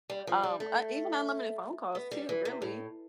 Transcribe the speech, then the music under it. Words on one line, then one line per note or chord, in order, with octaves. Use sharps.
um, uh, even unlimited phone calls too, really,
G3
F3
G3
A3
B3
G3
E3
C3
A2